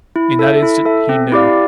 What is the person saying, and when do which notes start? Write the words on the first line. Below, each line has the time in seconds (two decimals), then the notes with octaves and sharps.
In that instant he knew.
0.16 E4
0.39 A4 E5
0.63 E4
0.85 A4 E5
1.09 C4
1.32 E4 G4 D5 F5